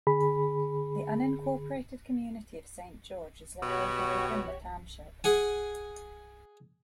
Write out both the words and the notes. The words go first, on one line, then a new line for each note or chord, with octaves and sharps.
The unincorporated community of Saint George is located within the township.
D3 G#4 B5
B2 F#4 G4 C#5
G#4 F#5 G#5